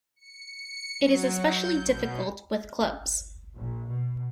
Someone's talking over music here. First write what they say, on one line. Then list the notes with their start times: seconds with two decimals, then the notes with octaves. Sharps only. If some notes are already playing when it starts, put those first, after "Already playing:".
It is especially difficult with clubs.
0.16 C#7
0.99 F#3
1.38 G6
1.82 B2
3.57 A#1
3.90 B2